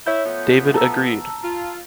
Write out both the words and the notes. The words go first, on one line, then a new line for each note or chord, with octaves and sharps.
David agreed.
E4 C#5 E5 G6
F3 A3 B3
A5 A#5 E6
F4